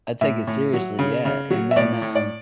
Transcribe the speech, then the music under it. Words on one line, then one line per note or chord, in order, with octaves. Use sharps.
I take it seriously, yeah, and then, um
A2 E5
A2
F#3
C#3
C#3
F#3
E5
A2 D5
A2
D5